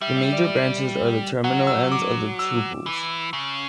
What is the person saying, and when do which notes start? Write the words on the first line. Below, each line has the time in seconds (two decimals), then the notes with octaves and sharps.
The major branches are the terminal ends of the tubules.
0.01 G3 E5
0.17 E5
0.33 D5
1.44 F#3 F#5
1.67 E6
1.92 D6
2.39 E6
2.86 E3
3.33 C#3